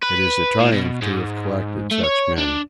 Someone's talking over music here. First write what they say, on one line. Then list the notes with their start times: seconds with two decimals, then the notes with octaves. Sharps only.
It is a triumph to have collected such men.
0.02 B4
0.60 A2
0.72 B2
1.02 G#2
1.91 A3
2.03 C#5
2.38 D4